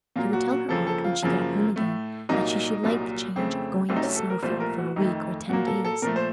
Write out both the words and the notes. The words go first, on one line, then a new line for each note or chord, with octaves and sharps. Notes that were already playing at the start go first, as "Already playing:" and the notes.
She would tell her aunt when she got home again that she should like the change of going to Snowfield for a week or ten days.
A#2 F#3 A#3 F4
F#4
F#4
F2 C#3 F3 A#3 A4
A4
F4
F#2 C#3 F3 A#3
A2 A3
C2 A#2 F#3 A#3 D#4
C2 A#2 F#3
F2 C#3 A3 C4
C2 C3 F#3 A3 C4
D#4
C#4
A4
A#4
C2 A#2 F3 A3 C5
A#4
F#4
F2 D#3 A3 D#4
A#2 F#3 A#3 F#4
A4
A4
A#2 F3 A3 A#4
C5